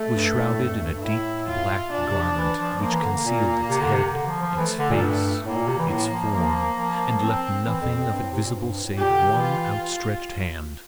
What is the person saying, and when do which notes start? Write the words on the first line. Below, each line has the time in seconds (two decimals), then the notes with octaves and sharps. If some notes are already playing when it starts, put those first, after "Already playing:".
It was shrouded in a deep black garment, which concealed its head, its face, its form, and left nothing of it visible save one outstretched hand.
Already playing: A3
0.16 G2
0.27 G2
0.38 A2
0.49 A2
0.60 G2
0.71 F2
0.82 G2
0.93 G2
1.04 A2 E4
1.48 F4
1.92 A#2 D4
2.07 C3
2.22 F3
2.36 E3
2.58 F3
2.80 F3 A#3
2.91 E3
3.03 D3
3.25 A#2
3.69 C3
3.81 D3
3.92 C3
4.13 D3
4.27 F3
4.42 F3
4.57 E3 A3
4.79 D3
4.90 A#2
5.01 G2
5.45 A2 A#3
5.56 A#2
5.67 C3
5.78 E3
5.89 A2 A#3
6.11 F3
6.33 F3 A#3
6.78 F3
7.22 C4
7.66 E3 C4
7.81 F2
7.95 F2
8.10 G2
8.22 A2
8.32 C3
8.43 A#2
8.54 G2
8.69 G2
8.84 A2
8.98 A#2 G4
9.10 D3
9.20 C3
9.32 E3
9.42 F4